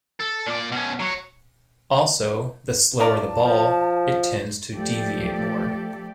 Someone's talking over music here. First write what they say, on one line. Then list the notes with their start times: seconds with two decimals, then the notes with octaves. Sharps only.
Also, the slower the ball, it tends to deviate more.
0.20 A4
0.46 A#2 D5
0.72 B2 C#4
1.00 F#3 C#5
3.00 F4 A#4 D5 A5
3.45 F3
4.73 F3 A3 G4 A4 D5